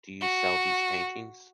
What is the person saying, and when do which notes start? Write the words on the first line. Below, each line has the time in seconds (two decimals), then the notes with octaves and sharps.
Do you sell these paintings?
0.21 F#4